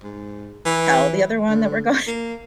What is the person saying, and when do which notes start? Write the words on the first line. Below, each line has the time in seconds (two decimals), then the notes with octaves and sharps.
tell the other one that we're going
0.03 G#2
0.65 E3
1.49 D3
2.07 A#3